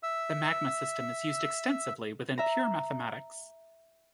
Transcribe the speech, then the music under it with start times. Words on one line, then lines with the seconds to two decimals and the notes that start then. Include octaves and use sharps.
The Magma system is used extensively within pure mathematics.
0.03 E5 E6
2.38 E5 A#5